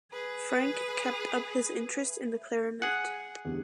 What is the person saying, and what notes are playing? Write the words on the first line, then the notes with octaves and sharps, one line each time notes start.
Frank kept up his interest in the clarinet.
G#4 B4
G#4 F#5
E2 D3 G3